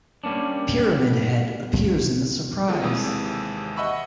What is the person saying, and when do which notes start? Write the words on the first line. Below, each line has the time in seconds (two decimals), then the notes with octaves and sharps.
Pyramid Head appears in the Surprise!
0.24 G3 A#3 C#4 D4
2.68 F3 A3 A#3 F4 G#4
2.82 D#2 C3 E3 G#3 D#6
3.76 D#5 E5 F#5 B5 C#6 E6